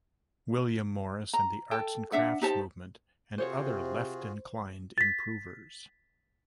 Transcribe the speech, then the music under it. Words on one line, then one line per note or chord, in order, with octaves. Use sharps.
William Morris and the Arts and Crafts movement and other left-inclined improvers.
A#5
A4 G5 A5
D4 E5 F#5
D#4 G4 C5 A5
C3 F4 F#4 G#4 C5 C#5
A6 B6